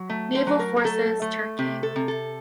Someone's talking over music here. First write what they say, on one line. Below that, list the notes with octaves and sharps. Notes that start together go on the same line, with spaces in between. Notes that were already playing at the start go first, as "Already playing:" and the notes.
Naval Forces, Turkey.
Already playing: F#3
A3
C5
F#3
A#4
A#4
A3 A4
A3
C3 G4
A4
C3
A4